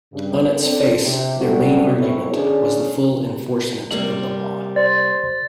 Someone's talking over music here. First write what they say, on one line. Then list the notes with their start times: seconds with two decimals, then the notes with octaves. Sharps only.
On its face, their main argument was the full enforcement of the law.
0.13 G2 C#3
0.61 C4 D4 A4
1.02 C3
1.40 F#3 G3 D4 F#4 A4
1.98 F#2 B2 C4 E4 A4 C#5
2.33 D3 C#4 D4 G#4
3.91 C3 G3 A#3 F#7
4.76 C5 D5 A6